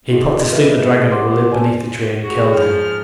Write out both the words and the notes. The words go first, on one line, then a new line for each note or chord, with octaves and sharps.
He put to sleep the dragon who lived beneath the tree and killed him.
E4 F#4 G#4 D#5
F4 G#4 A#4 B4 D#5 E5
G4 C5 F#5 C6 D6
F#4 D5 G#5 A5
F#4 G#4
G#2 F3 F6